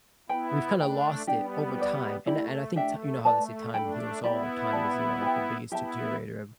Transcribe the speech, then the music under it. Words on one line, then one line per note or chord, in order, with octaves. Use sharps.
we've kind of lost it over time, and I and I think t you know how they say time heals all, that time is, you know, like the biggest deteriorator of
B3 E4 B4 G5 B5
A3 D4 B4 G5 B5
G3 B3 D4 G4 D5 G5
G4 B4 D5
A3 E4 G4 D5 B5
A3 D4 G4 E5 G5
A3 B4 D5 A5
A3 D4 A4 G5 B5
B3 E4 G4 D5 B5
G4 D5 A5
G4 B4 G5
B3 E4 G4 E5 A5